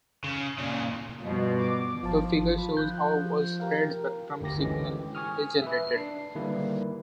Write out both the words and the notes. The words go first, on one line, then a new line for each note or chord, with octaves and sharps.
The figure shows how a spread-spectrum signal is generated.
C#3
A#2 C#3
G2 B2 F3
D6
G#1 F3 A5
F3 B5
F#6 G6
G4 A#4 F5
G1 D2 D#3 G4 A#6
D3 E3 G#3 C#4 G4
G#5 C#6 D#6 F6
B4 E5
D4 C7
D3 D#3 G3 A#3 E4 B4